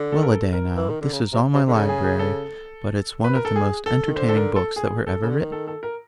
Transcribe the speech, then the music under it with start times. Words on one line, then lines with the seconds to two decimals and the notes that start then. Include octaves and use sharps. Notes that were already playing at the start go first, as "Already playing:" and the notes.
'Well-a-day now, this is all my library, but it's one of the most entertaining books that were ever written!
Already playing: D3
0.12 A4
0.23 A#4
0.32 A4
0.53 A#4
0.77 E3
0.90 D#3
1.01 D3
1.13 C#3
1.33 C3
1.54 C3
1.68 D3
1.74 C#3 A4
1.89 G#4
2.04 G#4
2.19 A4
3.24 B4
3.35 A#4
3.45 A4
3.56 G#4
3.86 A4
4.07 D#3
4.16 D3 C5
4.29 A4
4.36 A#4
4.56 A4
4.76 G#4
5.07 A4
5.23 C#3
5.30 D3
5.37 D#3
5.52 A4
5.68 A4
5.83 A#4